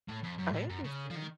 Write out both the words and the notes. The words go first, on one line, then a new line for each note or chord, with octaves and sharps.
I understand.
A2
F2
F#2
A2
F#2
C#3
F3
D#3